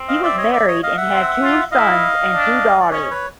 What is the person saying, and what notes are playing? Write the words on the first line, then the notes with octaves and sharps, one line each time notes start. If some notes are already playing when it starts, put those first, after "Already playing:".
He was married and had two sons and two daughters.
Already playing: C4
D#5 F5
D5 E5
C#5 D#5
D5 E5
C#5 D#5
D#5 F5
E5 F#5
C4
F4
E4 D#5 F5
D4
D5
C#4 C#5 D#5
B4 C#5